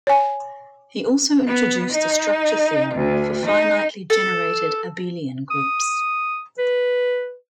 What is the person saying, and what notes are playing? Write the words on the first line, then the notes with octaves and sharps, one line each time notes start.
He also introduced the structure theorem for finitely-generated abelian groups.
C#5 G#5
B3
D#4
D2
D#4
A4
D#6
B4